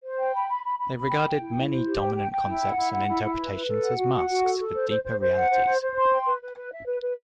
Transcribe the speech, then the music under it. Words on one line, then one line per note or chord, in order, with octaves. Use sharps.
They regarded many dominant concepts and interpretations as masks for deeper realities.
C5
G5
B5
B5
B5
B5
B5
G5
G5
E4
E4
C5
G4
G5
G5
G5
E4
F#5
E4
F#5
E4
E4
B4
B4
A4
F#5
F#4
F#5
F#4
A4
A4
C5
C5
C5
C5
F#5
C5
C5
C5
C6
G5
B4
B4
B4
E5
B4
B4